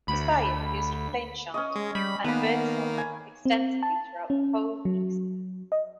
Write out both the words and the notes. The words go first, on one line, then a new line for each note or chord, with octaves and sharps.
Messiaen used plainchant and birdsong extensively throughout the whole piece.
D2 B5
C#4 C#5 D#5
G#3
G3 B5
D#3 A#3 B3 A#5 B5
G#5
C4
A5
C#4
F#3
D#5